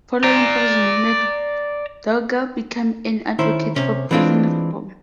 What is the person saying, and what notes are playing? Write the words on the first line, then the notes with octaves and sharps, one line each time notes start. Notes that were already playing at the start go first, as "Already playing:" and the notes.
Following prison, McDougal became an advocate for prison reform.
D5 A#5
D#3 C#4 E4 C5
C3 C#4
E3 G#3 C4 D4 F4